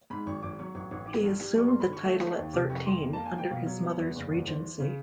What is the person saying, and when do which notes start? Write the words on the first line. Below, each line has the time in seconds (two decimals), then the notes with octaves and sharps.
He assumed the title at thirteen, under his mother's regency.
0.10 G#2 B5
0.26 G#1 C#6
0.43 G#1 D6
0.59 F#3 C#6
0.75 A1 C#6
0.91 A1 C#6
1.07 E3 D6
1.24 G2
1.40 G3
1.56 G2 C#6
1.68 G2 C6
1.80 B5
1.89 D3 C#6
2.04 A3 C#6
2.21 A3
2.38 D#2
2.53 C3 D6
2.70 F2 C#6
2.86 F2 C6
3.02 A#3
3.13 A#3 A5
3.26 G#5
3.34 F3 G5
3.50 B2 F5
3.66 F#3
3.83 B3
3.99 E2 B4
4.15 F#1
4.31 E2
4.47 E3 C5
4.64 E3
4.80 C#3